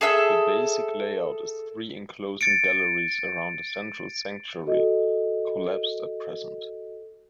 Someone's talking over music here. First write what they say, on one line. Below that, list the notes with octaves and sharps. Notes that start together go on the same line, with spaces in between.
The basic layout is three enclosing galleries around a central sanctuary, collapsed at present.
G#4 A4 E5 E6
A6 C#7 D7
F#4 A4 D#5